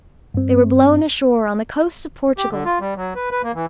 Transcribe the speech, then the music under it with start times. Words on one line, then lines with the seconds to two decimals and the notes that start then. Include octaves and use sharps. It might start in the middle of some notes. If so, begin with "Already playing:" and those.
They were blown ashore on the coast of Portugal.
0.34 G2 C4
2.38 G4
2.50 D3
2.65 F4
2.81 G3
2.96 F#3
3.15 B4
3.31 B4
3.43 A#3
3.55 E3